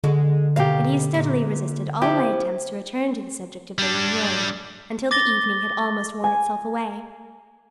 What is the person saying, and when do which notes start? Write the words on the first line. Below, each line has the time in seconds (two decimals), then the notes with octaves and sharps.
And he steadily resisted all my attempts to return to the subject of Lady Muriel until the evening had almost worn itself away.
0.04 D3 G#3 F#4
0.56 D#2 B2 D#3 G4 F5
1.14 A#2
2.02 F3 E4 G4
3.78 G3 D4
5.11 D6 A6 A#6 G7
6.24 G#5